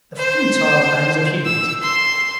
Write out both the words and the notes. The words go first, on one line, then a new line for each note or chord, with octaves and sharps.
The futile plans of humans!
C5
E6
C6